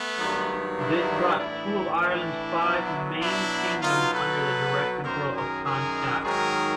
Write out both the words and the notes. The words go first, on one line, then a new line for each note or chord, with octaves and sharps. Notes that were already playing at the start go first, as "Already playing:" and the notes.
This brought two of Ireland's five main kingdoms under the direct control of Connacht.
Already playing: A3 B3
G2 D#3 F#3
D4 E4
A2 E3 D4 E4
D4 E4
B2 F#3
D4 E4
B2 F#3 D#4 F4
A4 B4
F#2 D#3 F#3 A#4 C5
G#4 A#4
G#4 A#4
G#2 D#3 F#3 G#4 A#4